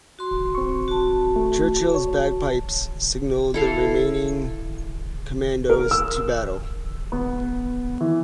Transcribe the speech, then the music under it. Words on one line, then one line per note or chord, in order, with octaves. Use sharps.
Churchill's bagpipes signalled the remaining Commandos to battle.
F#4 C6
C4 C#6
F#4 A5
A3
C#5
E4 A4 F5
A#4
E6
B3
E3